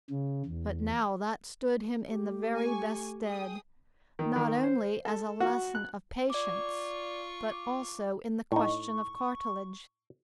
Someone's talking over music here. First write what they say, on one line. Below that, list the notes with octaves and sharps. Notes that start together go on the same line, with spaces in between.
But now that stood him in the very best stead, not only as a lesson of patience, but also in the question of cartilage.
C#3
E2
A3 G4
G#5 C#6
G#4 G5 D#6
D#3
D#3
C5
A4
F#4
F#6
F4 D5 C#6 D6
D6
A2 D#4 C#6